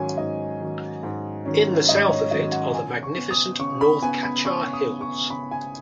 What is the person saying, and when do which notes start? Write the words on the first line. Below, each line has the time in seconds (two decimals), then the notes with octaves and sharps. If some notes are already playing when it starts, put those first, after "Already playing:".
In the south of it are the magnificent North Cachar Hills.
Already playing: G#2 D#3 F#3 C#4 G#5
0.17 G#2 D#5
0.60 D#3 F#3 C#4
1.03 G#2
1.46 D#3 F#3 C#4
1.88 G#2 D#5
2.09 C#5
2.31 D#3 F#3 C#4 D#5
2.52 F#5
2.74 C#3 G#5
3.03 C#6
3.17 B3
3.31 D#6
3.59 C#3 C#6
3.81 B5
4.03 B3 G#5
4.23 B5
4.45 C#3 C#6
4.73 D#6
4.88 B3
5.01 C#6
5.30 C#3 B5
5.51 G#5